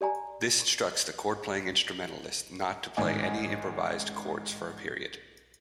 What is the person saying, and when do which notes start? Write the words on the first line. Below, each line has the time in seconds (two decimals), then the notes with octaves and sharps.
This instructs the chord-playing instrumentalist not to play any improvised chords for a period.
0.01 G4 D5 G#5 A#5
2.97 A1 G#2 D#3 D5 D#5 G#5